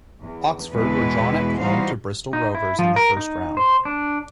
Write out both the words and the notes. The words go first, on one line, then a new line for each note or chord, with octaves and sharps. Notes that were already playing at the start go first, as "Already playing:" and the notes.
Oxford were drawn at home to Bristol Rovers in the first round.
E2
E2 B2 G#3 B3 E4 B4
E3 G3 D#4 F#4 C5 F5
D#4
E4
F3
A#4
D#4
C5
D4